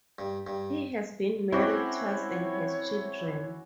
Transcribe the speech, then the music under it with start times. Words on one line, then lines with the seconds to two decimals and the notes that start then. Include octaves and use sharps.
He has been married twice and has children.
0.19 G2
0.47 G2
1.52 C4 C#4 E4 F#4 C#5 D5